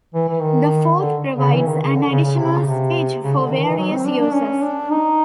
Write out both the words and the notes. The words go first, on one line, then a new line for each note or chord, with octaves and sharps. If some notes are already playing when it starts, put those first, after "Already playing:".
The fourth provides an additional stage for various uses.
E3
E3
D#3
D3
C#3
E3
D#3
C#3
D3
C#3
C#3
C3
C#3
C3
C#3
D3
D#3
E3
F#3
C4
D4
D4
C#4
D4
D#4